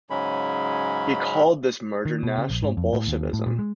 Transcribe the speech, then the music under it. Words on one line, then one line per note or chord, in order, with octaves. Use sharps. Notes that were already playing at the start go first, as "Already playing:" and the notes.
He called this merger National Bolshevism.
G#2 C#3 F#3 G#3 C#4 B5
D#3
B2
C#3
A#1
G#2
F2
A2
D#2
A2
A#2
G#3